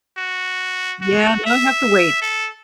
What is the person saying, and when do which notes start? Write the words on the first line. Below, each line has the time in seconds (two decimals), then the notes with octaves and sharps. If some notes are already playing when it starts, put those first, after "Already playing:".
Yeah, now I have to wait.
0.17 F#4
1.02 F#4
1.46 E5
2.22 A4